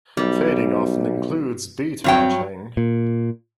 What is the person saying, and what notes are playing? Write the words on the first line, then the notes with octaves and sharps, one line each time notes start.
Fading often includes beatmatching.
B1 G3
G2 F#3 C4 G5
A#2